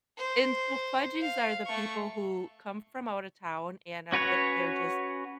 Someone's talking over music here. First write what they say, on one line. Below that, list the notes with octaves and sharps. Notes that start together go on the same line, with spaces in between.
And so, "fudgies" are the people who come from out of town and are the they're just
C5
F5
A3 C#6
C#4 F#4 B4 C#5 F#5